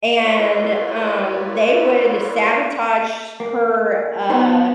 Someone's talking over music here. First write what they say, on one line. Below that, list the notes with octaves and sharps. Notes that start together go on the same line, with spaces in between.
And, um, they would sabotage her, uh,
E4 F4 A#4 B4 C#5 D5
A#3
B3 D#4 C5